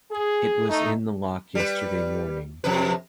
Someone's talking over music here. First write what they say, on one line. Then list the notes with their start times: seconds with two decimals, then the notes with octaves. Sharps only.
It was in the lock yesterday morning.
0.11 G#4
0.68 A3 D#4
1.55 G3 B4
2.64 F2 C3 B4